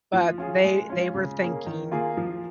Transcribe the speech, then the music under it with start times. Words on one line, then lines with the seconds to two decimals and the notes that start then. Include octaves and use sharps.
But they they were thinking
0.13 F3
0.38 C#4 F4 G#4
0.64 G#3
0.90 C#4 F4
1.15 C#3
1.41 A#3 C#4 G#4
1.66 D#3
1.91 A#3 F4 G#4
2.17 F3